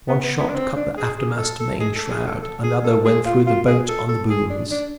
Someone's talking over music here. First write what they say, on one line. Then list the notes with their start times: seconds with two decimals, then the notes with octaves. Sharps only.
One shot cut the aftermost main-shroud; another went through the boat on the booms.
0.08 B3
0.24 B3
0.40 B3
0.49 D4
0.55 C4
0.76 D4
0.97 G#4
1.18 G#4
1.38 A4
1.60 A4
1.80 G#4
1.96 A4
2.11 G#4
2.27 A4
2.42 A4
2.63 G#4
2.84 A4
3.05 G#4
3.25 F4
3.46 F4
3.67 G#4
3.88 A4
4.09 A4
4.30 G#4
4.50 D4
4.71 D4